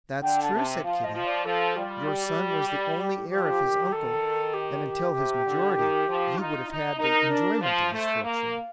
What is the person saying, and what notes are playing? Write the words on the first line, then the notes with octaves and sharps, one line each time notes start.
"That's true," said Kitty; "your son was the only heir of his uncle, and until his majority you would have had the enjoyment of his fortune."
D3 G5
A5
C3
F3 F5
D#5
F3
D5
F3 A4
G3 F4
G4
G4
G4
G4
F3 G4
D#3
A4
G4
C3
D3
D#3
F3
D#4 F4
D#4
D#4 A#4
D4
F3 C5
A3
A#3 F5